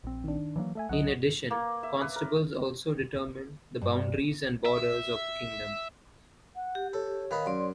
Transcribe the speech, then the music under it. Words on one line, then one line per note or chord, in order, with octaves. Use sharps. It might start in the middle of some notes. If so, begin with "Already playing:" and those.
In addition, constables also determined the boundaries and borders of the kingdom.
A#1 C4
D#3 D4
E3 F#3 A#3
A3 A4 E5 G#5
C2 F#3 C#4 D#5 F#5
A#3
E5
B4
A#4
G2
E5
F#5
G4
A4 C#5
D#3 B4 D#5 F5
F#2 D5 C6